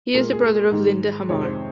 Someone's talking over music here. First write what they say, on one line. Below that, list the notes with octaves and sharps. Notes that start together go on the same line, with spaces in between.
He is the brother of Linda Hammar.
A#2 G#3 A#4
G#4
A#4
G#2 D#3 G#3
F2 C3 D#3 G#3 C#5
C5